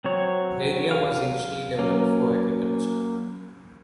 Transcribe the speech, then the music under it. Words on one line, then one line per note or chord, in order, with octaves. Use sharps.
The area was initially developed for agriculture.
F#3 C4 C#5
F5
F#3 A#3 C#4